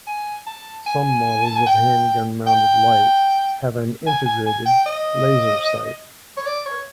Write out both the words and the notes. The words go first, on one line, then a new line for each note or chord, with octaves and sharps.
Some models of handgun-mounted lights have an integrated laser sight.
G#5
A5
G#5
A5
G#5
G5
G5
G#5
G#5
G#5
G5
D#5
C#5
D5
C#5